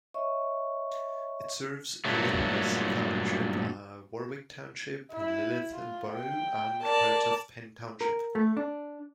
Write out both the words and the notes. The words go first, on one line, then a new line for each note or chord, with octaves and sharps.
It serves Elizabeth Township, Warwick Township, Lititz Borough, and parts of Penn Township.
C#5 D#5 E5 C#6
G2 A#2 F#3 A3
E4
F4
G5
A#4 D5 A5
A#4
A3
D4